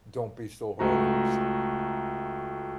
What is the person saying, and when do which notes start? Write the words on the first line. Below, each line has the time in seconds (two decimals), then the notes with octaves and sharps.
don't be so hard on yourself.
0.79 C#2 A3 F#4 A#5